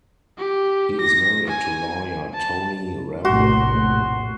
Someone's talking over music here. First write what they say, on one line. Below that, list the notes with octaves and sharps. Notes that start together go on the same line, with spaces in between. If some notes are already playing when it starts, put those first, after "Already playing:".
He is married to lawyer Toni Rembe.
G4
A#6
G#5
A5
F1 A#1 A2 F#4 C6